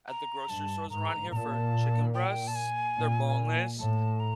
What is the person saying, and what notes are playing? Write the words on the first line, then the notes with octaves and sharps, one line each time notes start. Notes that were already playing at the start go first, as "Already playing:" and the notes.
at the grocery stores around here for chicken breasts. They're boneless.
A#5
G2 A5
G#2 A#5
A#2 A5 A#5
G5
A5
G#5
A#2
A2 A5
A#5